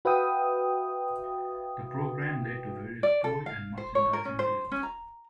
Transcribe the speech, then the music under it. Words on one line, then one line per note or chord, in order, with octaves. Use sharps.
The program led to various toy and merchandising deals.
F#4 B4 E5 F5 G5 D#6
D5
A4
F5
C5
C#5
A#4
C#4
C5
C#4
A#5